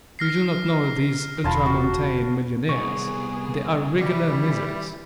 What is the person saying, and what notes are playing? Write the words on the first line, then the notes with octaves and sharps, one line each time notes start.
You do not know these ultramontane millionaires; they are regular misers.
F6 A#6 C7
E1 F4 A5 B5
F#4
C2 B3 G#4 C#6
E3 G3 E4